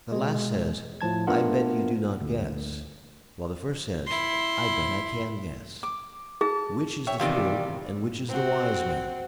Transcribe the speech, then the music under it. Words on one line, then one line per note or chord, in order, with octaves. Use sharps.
The last says, 'I bet you do not guess,' while the first says, 'I bet I can guess.' Which is the fool, and which is the wise man?
B2 G#3
A2 F3 A5 G#6
A3 B3 D4 F4 A#4 F#5
D2
E4 C6
D6
G#4 A5
C#5 E5 G5
E2 C3 D#3 G3 F4 D5
C4 F#4